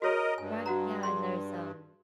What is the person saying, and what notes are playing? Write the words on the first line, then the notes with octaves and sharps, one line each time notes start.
Right, yeah, and there's, um
F#4 G#4 A#4 C#5 D#5
G2 G#5
F#4 F#5 A#5
G#4 C6